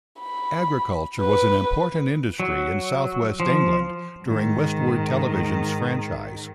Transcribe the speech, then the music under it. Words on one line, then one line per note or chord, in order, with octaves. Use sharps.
Agriculture was an important industry in South West England during Westward Television's franchise.
B5
B4
F#3
F3
G#2 D#3